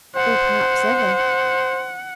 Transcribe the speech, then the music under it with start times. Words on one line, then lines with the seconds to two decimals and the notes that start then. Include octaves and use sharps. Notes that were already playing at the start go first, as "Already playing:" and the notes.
"Or perhaps ever."
0.16 C5 F#5